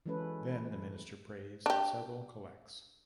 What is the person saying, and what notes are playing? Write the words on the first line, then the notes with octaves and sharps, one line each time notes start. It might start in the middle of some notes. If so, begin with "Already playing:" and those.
Then the minister prays several collects.
E3 F#3 G#3 C#4 A4 B4
D4 G4